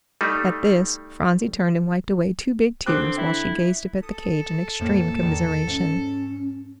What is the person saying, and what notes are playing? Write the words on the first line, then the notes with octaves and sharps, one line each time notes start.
At this Phronsie turned and wiped away two big tears, while she gazed up at the cage in extreme commiseration.
G3 A3 D#4
D3 C4 D6 F#6
E4
A4 D#6
F2 A2 A#3
E2 D#3
G#2 C#4